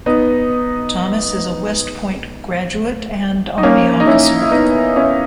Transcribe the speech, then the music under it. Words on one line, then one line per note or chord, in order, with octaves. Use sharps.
Thomas is a West Point graduate and Army officer.
B3 D#4
D#4
A#3 C#4
D#4
C#4 E4
E4
B3 D#4
C#4 E4